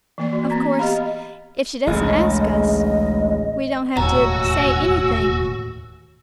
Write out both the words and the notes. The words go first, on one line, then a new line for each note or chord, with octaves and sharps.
Of course, if she doesn't ask us, we don't have to say anything.
E3 A#3 D5
F#4
B3 C4 A#5 B6
G4 D#5 F5 A#5 B5
A1 D2 C#3 G#3 D#5
E1 D#2 A2 F#4 F#5 G#5 A#5 E6